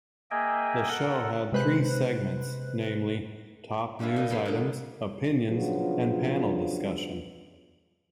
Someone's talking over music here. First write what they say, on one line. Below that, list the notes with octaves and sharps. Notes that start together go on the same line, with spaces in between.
The show had three segments, namely: Top News Items, Opinions, and Panel Discussion.
A#3 G#4 D#5 E5 G5 G#5
A4 A#4 F#5
C3 G#3 B4 C5 F#6
F3 G3 D4 E4 F4
A#2 D#4 D#5
F2 A#2 G3 F5 B5 C6
D3 A#3 B3
C#3 F3 F#3 B3 D4 F4